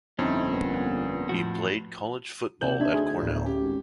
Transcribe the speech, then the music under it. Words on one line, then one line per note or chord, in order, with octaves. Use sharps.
He played college football at Cornell.
G1 F2 C4 C#4 D#4 E4
A#2 B3
A2 F3 F#4
D#2 C3 D5 G6 F#7
D#2 D4 D#4 E5 G#6
D2 G#4
D1 B3
C#4 G4
G#1